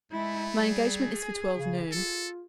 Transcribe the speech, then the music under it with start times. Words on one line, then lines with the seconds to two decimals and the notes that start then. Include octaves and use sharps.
My engagement is for twelve noon.
0.12 G#3 A3 E4
0.57 G3 G#4
1.58 C#3
1.92 F4 A4